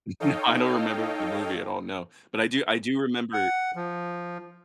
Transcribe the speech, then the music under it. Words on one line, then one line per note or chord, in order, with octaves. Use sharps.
No. I don't remember the movie at all, no. But, I do I do remember
D#4 A4 C#5 D#5 F5 G5
F#5
F3